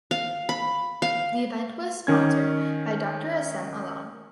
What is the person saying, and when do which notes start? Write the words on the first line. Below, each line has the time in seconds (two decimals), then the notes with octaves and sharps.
The event was sponsored by Dr Assem Allam.
0.11 F5
0.49 B5
1.02 F5
2.07 D#3 C#4 G#6